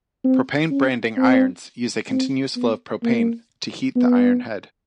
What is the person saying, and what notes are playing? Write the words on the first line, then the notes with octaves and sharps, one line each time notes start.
Propane Branding Irons use a continuous flow of propane to heat the iron head.
C4
C#4
C4
C4
B3
A#3
B3